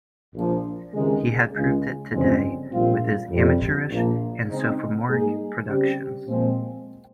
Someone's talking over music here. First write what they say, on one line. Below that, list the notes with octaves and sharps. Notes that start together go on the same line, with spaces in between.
He had proved it today, with his amateurish and sophomoric productions.
A#1 A#2 F3
C#2 C3 D#3 G#3
C#2 C#3 G#3
G1 F2 C#3 G#3 C4
A#1 A#2 G3 C4 F4
F2 C3 G3
A#1 A#2 F3 A#3
C#3 G#3 C4 D#4
G#2 G3 A#3 D#4 G#4
C#3 G3 C4 G4
A#2 F3 G#3 C4